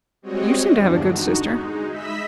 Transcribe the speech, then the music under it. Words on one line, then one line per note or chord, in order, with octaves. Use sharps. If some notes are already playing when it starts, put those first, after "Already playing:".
'You seem to have a good sister.'
G3 G#3 C4 F#4 C#5 D#5
E2 G2 D3 D4
D#4 F#4
G#3 D#4
D#5 E5 B5 E6 B6